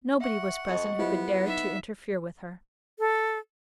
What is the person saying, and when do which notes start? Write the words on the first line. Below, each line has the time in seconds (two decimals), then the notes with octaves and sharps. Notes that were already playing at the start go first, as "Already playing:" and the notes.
Nobody was present who could dare to interfere with her.
0.20 E5 F#5 C#6
0.67 F2 D#5 C#6
0.99 F#3 B3 E4 F4 G4 C5
1.46 D#4 E5
2.99 A4